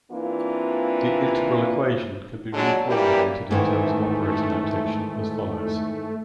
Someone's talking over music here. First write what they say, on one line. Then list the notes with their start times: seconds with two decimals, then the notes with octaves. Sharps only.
The integral equation can be reformulated in terms of operator notation as follows.
0.11 E3 A#3 C4 D4 F4
2.53 D3 F#3 G#3 D4
2.86 E3 G3 A#3 G4
3.51 G#2 D#3 E3 A3